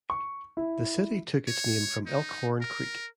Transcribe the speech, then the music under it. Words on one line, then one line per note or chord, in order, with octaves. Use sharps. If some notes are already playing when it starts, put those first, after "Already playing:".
The city took its name from Elk Horn Creek.
C#6
E4
C#5
D#4
A#4